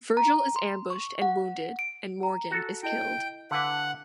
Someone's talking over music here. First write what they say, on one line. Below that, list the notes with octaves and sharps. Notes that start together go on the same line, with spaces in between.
Virgil is ambushed and wounded, and Morgan is killed.
A#5
C6
C#6
F#5
D7
A#5
F#4 A4
E4 D#5 G5
D3 B4 F5 F#5 G#5 D6